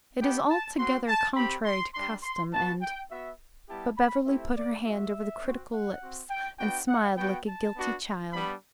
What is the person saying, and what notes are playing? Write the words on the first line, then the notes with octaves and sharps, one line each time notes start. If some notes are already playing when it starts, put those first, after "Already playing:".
"It is altogether contrary to custom, and--" but Beverly put her hand over the critical lips and smiled like a guilty child.
B3 D4 G4 G5
A5
C4 F#4 C6
A5
C4 G4 B5
C6
G3 D4 G4 C6
C6
B3 F#4 A5
G5
B3 F#4 E5
G3 B3 E4 G4 A5
B5
A3 C4 E4 G4 E5
D5
C4 F#4 E5
C4 F#4
F#5
C4 F#4
G5
B3 D4 F#4 G5
F#5
B3 F#4 G5
A5
B3 D4 F#4
G3 B3 D4 B5